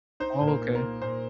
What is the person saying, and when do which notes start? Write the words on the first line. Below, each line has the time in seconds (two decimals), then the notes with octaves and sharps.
Oh, okay.
0.20 D#4 C5
0.41 A#2
0.48 A#4
0.61 A#3
0.75 A#4
0.82 A#3
1.02 A#2 C5